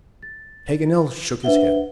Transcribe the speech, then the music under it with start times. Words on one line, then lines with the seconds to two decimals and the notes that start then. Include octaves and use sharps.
Paganel shook his head.
0.23 A6
1.43 D4 B4 C5 E5 F#5 G7